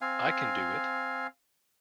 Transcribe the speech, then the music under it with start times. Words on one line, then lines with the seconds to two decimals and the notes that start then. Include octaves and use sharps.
I Can Do It!
0.01 C4 F5 G#5